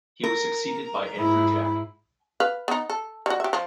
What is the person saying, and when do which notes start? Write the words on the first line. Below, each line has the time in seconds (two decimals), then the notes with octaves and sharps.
He was succeeded by Andrew Jack.
0.23 A#4
1.15 G#2 E4
2.40 B4 F5
2.68 B3 D#4
2.90 A4
3.26 G3 F#4
3.40 G4 E5
3.53 F3